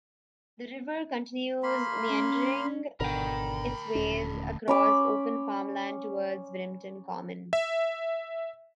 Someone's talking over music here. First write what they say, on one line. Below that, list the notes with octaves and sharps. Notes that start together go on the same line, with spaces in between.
The river continues meandering its way across open farmland towards Brimpton Common.
A#3 B5 C6
C#4
G#1 D2 B2 D3 A#4 G5 B5
D#1 C#4
C#4 B5 D6
E5